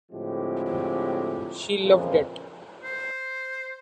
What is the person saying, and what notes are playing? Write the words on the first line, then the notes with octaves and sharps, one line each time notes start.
She loved that.
A2 D3 F3 G#3 C4 G4
F2 A#2 C#3 E3 F3
C5